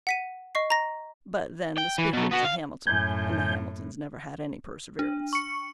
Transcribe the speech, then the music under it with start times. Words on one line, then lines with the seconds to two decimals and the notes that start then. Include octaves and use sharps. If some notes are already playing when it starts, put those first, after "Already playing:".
But, then, the speaker was a Hamilton, and the Hamiltons never had any perseverance.
0.07 F#5 B6 D#7
0.55 D#5 C#6 C7
0.70 A#5 A#6
1.78 G5
1.98 E3
2.13 B2 F#3
2.31 B3 F#4
2.45 F5
2.87 F#2 A2 G#5 G6
4.99 D4
5.33 C#6 C#7